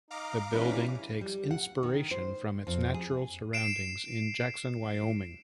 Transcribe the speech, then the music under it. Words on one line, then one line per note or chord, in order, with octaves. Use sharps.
The building takes inspiration from its natural surroundings in Jackson, Wyoming.
D#4 F5 A#5 D6
E3 G3 C#4 D4 E4 F#4 B4
G3
F#5
D#3
C5
F2
G#4
C7 D7 E7